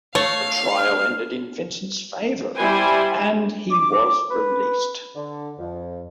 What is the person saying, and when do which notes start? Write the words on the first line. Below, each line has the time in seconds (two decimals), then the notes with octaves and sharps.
The trial ended in Vincent's favour, and he was released.
0.15 A3 C#5 F5
0.78 F6
2.56 G3 E4 C5 G#5
3.71 D6
4.30 B4
5.15 D3
5.59 F2